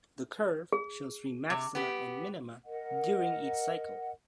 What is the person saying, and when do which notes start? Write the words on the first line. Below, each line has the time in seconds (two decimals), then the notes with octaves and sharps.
The curve shows three maxima and minima during each cycle.
0.72 G#4
1.50 C3
1.75 B3 G4
2.66 A#4 D#5 F#5